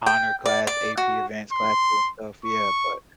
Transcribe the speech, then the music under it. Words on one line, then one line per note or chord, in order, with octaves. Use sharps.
honor class, AP advanced classes and stuff, yeah, but
G5
D5
D5
F#4
C6
C#6